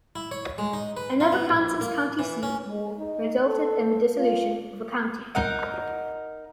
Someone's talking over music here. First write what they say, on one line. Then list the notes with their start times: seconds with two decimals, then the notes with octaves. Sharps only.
Another Kansas county seat war resulted in the dissolution of a county.
0.16 E4
0.31 C#5
0.58 G#3
0.73 D#4
0.97 B4
1.20 F4
1.32 B3
1.49 A#1
1.81 A#3
2.19 E3
2.43 C#4
2.98 D#4
3.47 A4
4.16 F4
5.35 D#4 A#4 F#5